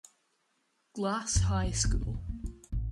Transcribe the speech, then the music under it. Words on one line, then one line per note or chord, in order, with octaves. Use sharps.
Glass High School.
F#2
A1
F1
D#1
F2
A#3
F4
A1